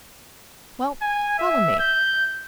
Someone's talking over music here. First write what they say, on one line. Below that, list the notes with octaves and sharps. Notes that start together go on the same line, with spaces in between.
"Well, follow me."
G#5
E5
G6